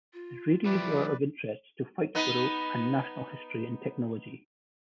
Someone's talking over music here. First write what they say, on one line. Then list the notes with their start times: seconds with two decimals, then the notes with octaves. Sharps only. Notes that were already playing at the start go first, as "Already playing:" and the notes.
His radios are of interest to Whitesboro and national history in technology.
0.14 F4
0.65 F3 G3 E4 G4 B4 D5
2.15 B3 D#4 B4